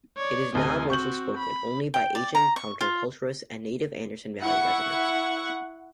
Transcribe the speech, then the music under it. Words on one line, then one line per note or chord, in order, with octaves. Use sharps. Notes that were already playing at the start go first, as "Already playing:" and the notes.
It is now mostly spoken only by aging counter-culturists and native Anderson Valley residents.
C#5 D5
D2 C3 D#5 G#5
C4 F#4 C#6 G6 F#7
B5
G5
D5
A#5
C#6
F4
E4 F#5 C#6